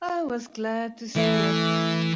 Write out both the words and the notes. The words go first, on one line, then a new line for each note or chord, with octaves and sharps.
I was glad to see it.
E3 A3 E5